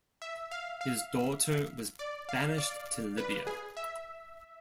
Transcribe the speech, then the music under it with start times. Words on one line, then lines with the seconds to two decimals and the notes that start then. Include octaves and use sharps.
His daughter was banished to Libya.
0.22 E5
0.51 F5
0.81 F5
1.99 D5
2.29 F5
2.58 D5
3.18 B4
3.47 G#4
3.77 E5